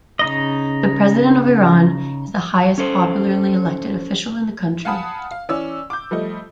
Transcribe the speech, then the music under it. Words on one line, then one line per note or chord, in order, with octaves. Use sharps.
The President of Iran is the highest popularly elected official in the country.
C#3 D#4 D#5
C#4 A4 C5
F5 F#5 G#5 A5 B5 D#6
F5
E3 C#4 D5 E6
D6 G6
F3 G3 A3 D#5